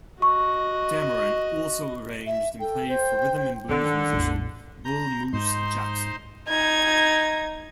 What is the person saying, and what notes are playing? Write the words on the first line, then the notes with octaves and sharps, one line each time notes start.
Dameron also arranged and played for rhythm and blues musician Bull Moose Jackson.
F#4 D#5 C#6
E5
A4 G5
C5
D3 D#3
A1 E2
A#5 G6
G#2 D#4 C5 C6
D#4 G#6